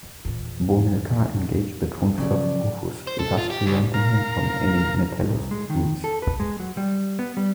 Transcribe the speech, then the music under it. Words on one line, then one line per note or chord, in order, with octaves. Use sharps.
Bomilcar engaged the troops of Rufus, thus preventing him from aiding Metellus' troops.
A#1 E2
F#2 C#3 F3 A4 D5
C5
A4
F4
G4
C#2
A#4 F5 A#5
C2
G#3
D#3
A4
B4
G#3
F#3
G3
B3
G3